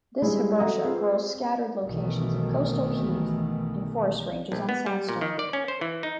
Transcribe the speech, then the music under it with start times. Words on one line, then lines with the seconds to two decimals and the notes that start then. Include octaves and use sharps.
This hibbertia grows scattered locations in coastal heath and forest ranges on sandstone.
0.22 G3 G#3 C4 E4 G#4
0.59 F#3 A4 E5 F#5 A#5 D#6
0.84 C4 F4 G#4 B4
1.85 B1 B2 D#3 E3 A3
4.52 A#1
4.69 B3
4.86 G3
5.09 A#2
5.21 D#3
5.39 D5
5.53 C#4
5.68 C5
5.81 E3
6.03 D#4